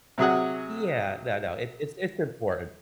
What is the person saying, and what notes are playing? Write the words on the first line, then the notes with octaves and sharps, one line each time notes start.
Yeah, no, no, it's it's it's important.
C3 F#3 G#4 F#5